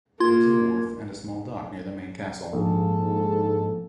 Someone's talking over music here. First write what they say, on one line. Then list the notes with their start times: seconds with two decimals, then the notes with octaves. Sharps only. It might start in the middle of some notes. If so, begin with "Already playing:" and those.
There is a wharf and a small dock near the main castle.
0.20 A#3 F4 C6 G#6
2.53 A#1 G#2 A4